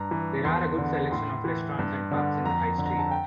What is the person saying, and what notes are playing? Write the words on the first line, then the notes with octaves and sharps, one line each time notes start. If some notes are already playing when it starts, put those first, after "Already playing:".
There are a good selection of restaurants and pubs in the High Street.
Already playing: G2 A#5
E3
E2 C6
D3
A2 C6
E3
G2
D3
F2 A#5
D3
A#5
A5
G5